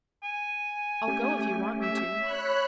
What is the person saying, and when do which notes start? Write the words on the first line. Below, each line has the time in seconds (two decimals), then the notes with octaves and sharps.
"I'll go if you want me to."
0.23 G#5
1.08 A3 C#4 G4
1.82 E5
2.19 C#5 B5 F#6